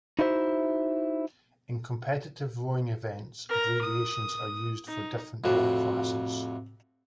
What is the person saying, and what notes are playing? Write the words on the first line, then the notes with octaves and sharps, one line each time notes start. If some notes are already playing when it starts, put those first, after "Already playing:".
In competitive rowing events, abbreviations are used for different boat classes.
D#4 E4 F#4 C5 D5 E5
A#4 A#5
D#6
D#4
F2 A2 C3 F#4